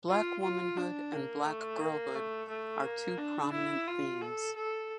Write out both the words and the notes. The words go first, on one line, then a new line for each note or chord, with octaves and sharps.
Black womanhood and Black girlhood are two prominent themes.
F4
F4
D4
A#3
A3
A#3
A3
A3
A#3
D4
E4
F4
A4
A4